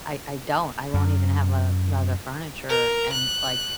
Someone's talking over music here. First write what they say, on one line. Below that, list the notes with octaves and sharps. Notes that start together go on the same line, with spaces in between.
I I don't I won't even have le leather furniture and like,
F#2
A#4
F#6